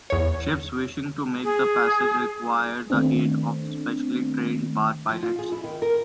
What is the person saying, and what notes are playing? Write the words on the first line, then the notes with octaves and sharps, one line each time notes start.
Ships wishing to make the passage require the aid of specially trained bar pilots.
E2 C#5
G#4
D#3 A3 B3 C4 D4
F3
F4
G#4
E4
D#3
A#4